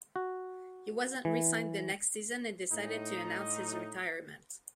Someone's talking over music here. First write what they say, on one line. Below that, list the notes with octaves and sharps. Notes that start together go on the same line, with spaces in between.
He wasn't re-signed the next season and decided to announce his retirement.
F#4
E3
A2 D#4